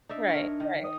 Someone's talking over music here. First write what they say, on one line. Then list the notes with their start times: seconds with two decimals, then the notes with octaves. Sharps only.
Right, right.
0.09 D4 D#4 D5 E5
0.29 A#4 C#5
0.60 D#3
0.84 D#6